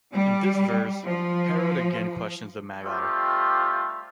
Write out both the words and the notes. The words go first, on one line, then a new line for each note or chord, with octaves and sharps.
In this verse Herod again questions the magi.
G3
F3
G3 A3 C4 F4 G4